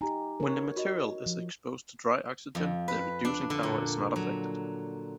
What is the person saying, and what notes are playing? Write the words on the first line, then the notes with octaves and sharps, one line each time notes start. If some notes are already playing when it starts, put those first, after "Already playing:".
When this material is exposed to dry oxygen the reducing power is not affected.
D#4 G4 G#5 A#5
A#4 C#5
F#4 D#5
F3
F2
B4
D4
D3
A#2
F#3